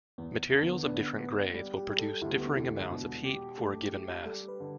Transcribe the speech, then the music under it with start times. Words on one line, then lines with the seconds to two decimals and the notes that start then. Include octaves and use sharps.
Materials of different grades will produce differing amounts of heat for a given mass.
0.18 E2 B3
0.51 D3
0.63 B3
0.86 B3 D4
1.20 B3
1.54 G3
1.77 G4
1.87 G3
1.99 A4
2.21 D2 E4
2.38 B3
2.47 D4
2.56 E1 E4
2.90 B2 D4
3.24 G4
3.58 A3
3.92 G4
4.25 G3 A4
4.48 B4
4.60 D3